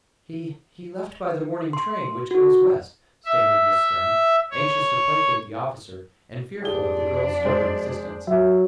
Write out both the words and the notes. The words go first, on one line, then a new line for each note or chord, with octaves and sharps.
"He--he left by the morning train, which goes west," stammered Miss Stearne, anxious to placate the officer and fearful of the girl's stubborn resistance.
C6
F#4
E5
C#5
F2 D4 G4 G#4 G7
G#3 C5
F#3 E5